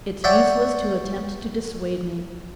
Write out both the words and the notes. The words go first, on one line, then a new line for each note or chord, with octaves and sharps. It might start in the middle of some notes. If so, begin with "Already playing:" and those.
'It's useless to attempt to dissuade me.'
C#5 D5 E5 F#5 G5